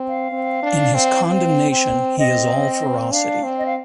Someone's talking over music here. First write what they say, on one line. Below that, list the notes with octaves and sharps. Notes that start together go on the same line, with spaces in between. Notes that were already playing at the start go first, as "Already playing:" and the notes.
In his condemnation he is all ferocity.
Already playing: C4
F5
C4
D4
C4
C4
C4
C4 D#5
D4 F5
C4
D#5
F5